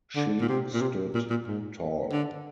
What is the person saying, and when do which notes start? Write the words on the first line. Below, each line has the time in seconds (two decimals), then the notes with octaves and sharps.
She stood tall.
0.16 D3
0.41 A#2
0.49 C3
0.74 A#2
0.82 C3
1.15 A#2
1.30 A#2
1.48 G#2
2.12 D3